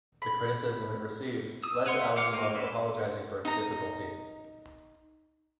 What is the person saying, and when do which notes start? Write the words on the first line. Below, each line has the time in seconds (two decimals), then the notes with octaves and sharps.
The criticism it received lead to Aonuma apologizing for its difficulty.
0.22 B5
1.63 D#6 E6
1.86 B4 C#5 F#5 C6
2.02 E5
2.16 G4 F5 F#5 D6 F6
2.33 A#3 F4 G4
2.55 G#3 A3 C#4 B4 E5
3.45 D#4 A#5